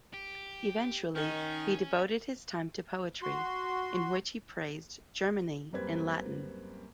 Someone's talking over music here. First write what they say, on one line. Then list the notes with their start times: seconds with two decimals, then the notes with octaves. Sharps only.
Eventually he devoted his time to poetry, in which he praised Germany in Latin.
0.14 G4
1.15 D#3 C#4
3.22 F#4 C6
5.73 F#2 G3 A#3 C4 B4 G#6